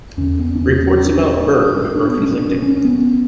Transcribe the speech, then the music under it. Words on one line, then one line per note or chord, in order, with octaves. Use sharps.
Reports about Berg are conflicting.
E2 D3 C#4
B3
D4
C#4
C#4
D4
D4
B3
C#4
D4
C#4
C#4
B3